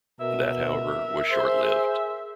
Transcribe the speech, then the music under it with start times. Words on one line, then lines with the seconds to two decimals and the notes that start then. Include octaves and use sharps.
That however, was short-lived.
0.20 B2 A#4 E5
1.32 G#4 C5